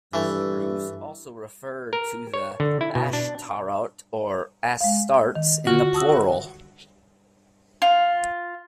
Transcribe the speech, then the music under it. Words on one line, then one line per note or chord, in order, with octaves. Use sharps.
The Hebrews also referred to the "Ashtarot" or "Astartes" in the plural.
G2 E3 A3
A#4
C#5
D3
E4
B2
D4
G#3 F5
D#3
D3 F4 F#4
A5 D#6 E6
F4